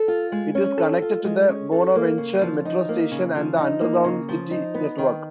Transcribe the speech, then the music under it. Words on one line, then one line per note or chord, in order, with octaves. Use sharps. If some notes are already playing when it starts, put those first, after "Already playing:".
It is connected to the Bonaventure metro station and the underground city network.
Already playing: A4
F4
G#3
C#4
A4
F4
G#3
C#4
A4
A#3
C#3
F3
D#4
A#3
C#3
F3
D#4
A#3
C#3
F3
D#4
B3
D#3